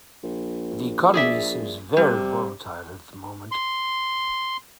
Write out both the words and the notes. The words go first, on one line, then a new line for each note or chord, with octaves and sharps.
The economy seems very volatile at the moment.
A#1
G#4 D5 E5
C3 G3
C6